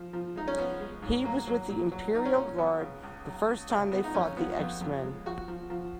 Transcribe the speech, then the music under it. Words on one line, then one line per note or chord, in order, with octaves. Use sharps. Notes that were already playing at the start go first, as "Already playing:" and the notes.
He was with the Imperial Guard the first time they fought the X-Men.
Already playing: F3
F3
G#3 D#4
C#4
F3 B3
G#3
G#2
F#3 A#3
F#3
A#2
F#3
F#3 D#4
C#4
A#2
F#3 B3
C#3
C#2
F#3
C#2
C#3
G#3 B3
D#4
F2 C#4
F3 B3
F2 B3
F2
G#3
F3 F#4
F3
F3